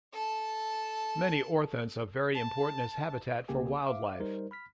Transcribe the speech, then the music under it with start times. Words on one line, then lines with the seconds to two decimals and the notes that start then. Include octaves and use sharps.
Many orthents are very important as habitat for wildlife.
0.13 A4 A5
2.35 A5
3.48 C2 C#3 A#3 G4 G#5
3.86 E5 F5 D6
4.20 G3 D#4 A#4 C5
4.51 B5 F6 B6